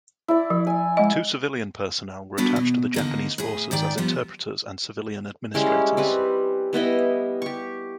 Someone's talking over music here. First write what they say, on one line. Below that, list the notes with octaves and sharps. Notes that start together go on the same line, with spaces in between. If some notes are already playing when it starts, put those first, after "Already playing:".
Two civilian personnel were attached to the Japanese forces as interpreters and civilian administrators.
E4 D5
F3
G#5
G#3 D#5
G3 B3 D4 F#4 A4
B2
D3 A#3 D#4
A2 G#4
G#2 D#3 D5 G5
F3 G3 B3
G3 G#3 C#4 E4
G3 C4 B4
G3 B3 E4 D#5
G4 C#6